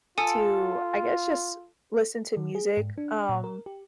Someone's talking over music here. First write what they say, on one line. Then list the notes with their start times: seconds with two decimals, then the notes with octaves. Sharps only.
to, I guess, just listen to music, um,
0.18 F4 A4 G#5 D#6
2.37 D#3
2.55 G#4
2.77 G#2
2.98 D4
3.29 A#2
3.44 A#4
3.66 G4